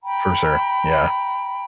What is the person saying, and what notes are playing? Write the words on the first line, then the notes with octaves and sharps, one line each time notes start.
For sure. Yeah.
G5 A#5 B5